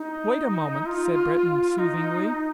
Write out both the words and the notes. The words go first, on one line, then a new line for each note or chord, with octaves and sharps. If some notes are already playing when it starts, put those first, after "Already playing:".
"Wait a moment," said Breton, soothingly.
Already playing: D#4
F4
D#4